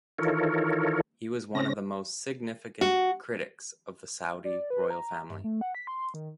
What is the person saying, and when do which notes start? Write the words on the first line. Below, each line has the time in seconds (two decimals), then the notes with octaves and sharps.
He was one of the most significant critics of the Saudi royal family.
0.18 D#3 E3 F4 A4 A#4 C#5
1.55 C#3 C4 C#4 A#6
2.81 F#4
4.45 D5
4.70 B4
4.90 A#5
5.30 G2
5.44 A3
5.61 F#5
5.75 B6
5.87 C6
6.14 D#3